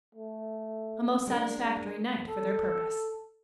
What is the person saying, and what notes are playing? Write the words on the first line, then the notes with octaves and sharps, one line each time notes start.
A most satisfactory night for their purpose.
A3
G#3 D4 A#4
A4